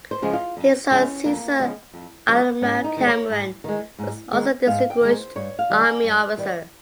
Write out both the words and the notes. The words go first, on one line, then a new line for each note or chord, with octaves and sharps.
His son, Cecil Aylmer Cameron, was also a distinguished Army officer.
C5
C#3 F3 G#3
F4
F2
C#3 F3 G#3 C#4
F2 A#3
C#3 F3 G#3
F2
C#3 F3 G#3
G#2 C#4
D#4
D#3 G#3
C#5
G#2
D#3 G#3
G#2
D#3 G#3
G#2 F5
G5
D#3 G#3
C5
G2 C#5
F5
D#3 G3
G#5
G2
D#3 G3